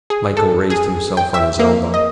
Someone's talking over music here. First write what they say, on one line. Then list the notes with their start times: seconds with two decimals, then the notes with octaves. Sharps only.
Michael raised himself on his elbow.
0.10 G#4
0.37 A4
0.70 G#4
1.17 G5
1.34 E5
1.59 A#3
1.94 D#5